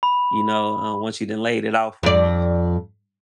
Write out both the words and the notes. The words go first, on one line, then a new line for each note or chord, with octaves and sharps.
you know, uh, once you done laid it out for 'em.
B5
F2 D5